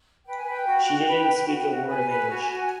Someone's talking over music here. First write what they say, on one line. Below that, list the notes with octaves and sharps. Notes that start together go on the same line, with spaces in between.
She didn't speak a word of English.
B4 G5
G#5
B4 G5
F#4
F#4
B4
B4
F#4
F#4
B4 G#5
B4
F#4
F#4